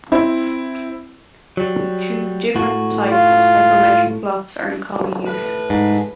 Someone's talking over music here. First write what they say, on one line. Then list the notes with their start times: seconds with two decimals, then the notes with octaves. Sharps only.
Two different types of psychometric plots are in common use.
0.12 C4 E4
1.57 F#3 G3
2.56 A2 F#4
3.11 F4
5.26 A2 B4
5.70 G#2